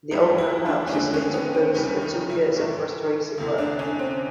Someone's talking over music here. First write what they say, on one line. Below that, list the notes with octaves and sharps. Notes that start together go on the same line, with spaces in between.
The Opera House was later closed for two years of restoration work.
G#2 E3 G3 D#4
E4
D4
C#4
D#2 D3 F3 G#3 D4
C#4
B3
C4
C#2 C3 D#3 G3 C#4
D#4
E4
G#2 E3 A3
D2 C3 E3
D4
C#4
C4